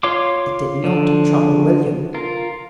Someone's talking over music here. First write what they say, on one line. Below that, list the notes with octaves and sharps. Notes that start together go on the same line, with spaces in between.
It did not trouble William.
F4 C#5 F5 C6 D6
D3 F3
F4 A#4